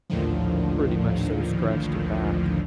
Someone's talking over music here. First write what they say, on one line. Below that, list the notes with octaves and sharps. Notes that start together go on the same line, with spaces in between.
pretty much so scratched it back.
A#1 D#2 A2 D3 D#3 F3